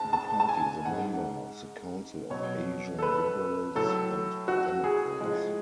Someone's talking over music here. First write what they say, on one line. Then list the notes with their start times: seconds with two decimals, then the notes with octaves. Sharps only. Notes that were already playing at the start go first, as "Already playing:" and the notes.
The party is a member of the Council of Asian Liberals and Democrats.
Already playing: G#2 G#3 A5
0.13 A5
0.40 A5
0.49 G#5
0.85 G#2 G#3 F#5
2.30 B2 F#3 C#5
2.99 A4
3.02 B4
3.75 A2 F#3 A4
4.48 F#4
4.84 G#4
5.20 A2 F3 G#3